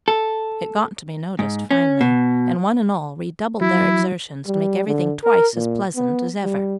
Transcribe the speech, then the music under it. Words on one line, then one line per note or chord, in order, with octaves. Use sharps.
It got to be noticed finally; and one and all redoubled their exertions to make everything twice as pleasant as ever!
A4
G#2
C#4
B2
F#3 E4
G3
D3
A#4
A#2
B3
G3